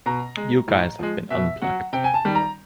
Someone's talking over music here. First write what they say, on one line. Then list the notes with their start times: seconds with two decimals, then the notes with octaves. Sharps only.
You guys have been unplugged!
0.06 B2 A#5
0.37 G#3
0.68 A2
0.99 F3 G#3
1.30 B2 E5
1.62 F#3 F#5
1.93 C3 G5
2.04 G#5
2.14 A5
2.25 D#3 G3
2.35 A#5